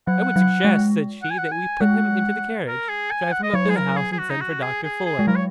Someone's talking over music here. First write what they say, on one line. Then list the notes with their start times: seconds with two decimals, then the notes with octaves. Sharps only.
"I would suggest," said she, "that we put him into the carriage, drive him up to the house, and send for Dr. Fuller."
0.07 F#3 F#5
0.36 F#3
0.64 G#3
1.22 F#5
1.30 G#5
1.38 F#5
1.51 G#5
1.81 G#3 F#5
2.67 A#4
2.89 G#4
3.11 G#5
3.32 F#5
3.43 D#5
3.54 F#3 C#5
3.70 G#4
3.76 A#4
3.97 G#4
4.12 G#4
4.19 F#4
4.30 D#4
4.41 F#4
4.62 G#4
4.83 G#4
5.06 G#4
5.19 G#3
5.27 F#3 A#4
5.36 C#5